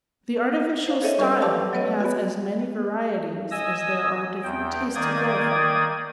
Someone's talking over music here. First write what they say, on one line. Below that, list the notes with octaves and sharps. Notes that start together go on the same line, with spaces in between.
The artificial style has as many varieties as there are different tastes to gratify.
C5 F5
G#4 A4 C#5 D#5 E5
G3 C#4 G4 A4 B4 D#5
G4 D5 F5 A5 D6 E6
F#3 A3 B3 B4 C#5 D#5
B3 F#4
D#5 G#5 D#6 E6
E2 G5
D#3 A#3 D5 G5 D#6 G#6